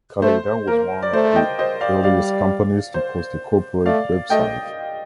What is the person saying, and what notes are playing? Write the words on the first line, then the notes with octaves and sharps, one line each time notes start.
Kaleida was one of the earliest companies to post a corporate website.
A3 C5
A#3 A#4
D5
A3 C5
D#5 G5
C5 D#5
D5 F5
G3 D5 F5
C5
A3 D5 F5
A3 D#5 G5